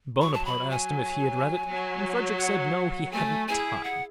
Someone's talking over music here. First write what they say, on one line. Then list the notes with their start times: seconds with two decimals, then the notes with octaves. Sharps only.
Bonaparte asked him if he had read it, and Frederick said no, he hadn't time.
0.22 F#3 C#6
0.34 A5
0.45 B5
0.70 G#5
1.67 F#3
2.39 F#5
3.11 A3 G#5
3.48 E4 G#4 G#5
3.84 F#5